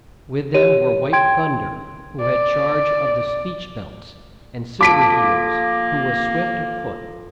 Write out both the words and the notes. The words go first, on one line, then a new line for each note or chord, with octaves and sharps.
With them were White Thun-der, who had charge of the "speech-belts," and Sil-ver Heels, who was swift of foot.
G4 C#5 D#7
G5 C6 G#6 D7
D5
F3 A#3 A4 D6 B6 D7